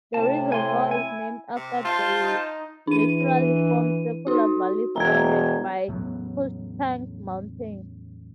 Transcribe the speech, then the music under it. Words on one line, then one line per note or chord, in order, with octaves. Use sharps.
The reservoir is named after the naturally formed circular valley surrounded by Cushetunk Mountain.
A2 C3 A5
E4 G#5 C6
G#5
C3
F4 C5 A5 C6
D#4
E3 D4 D#7
D#4 F#4
E1 A#5 G#6
E2 A2 F#3 B3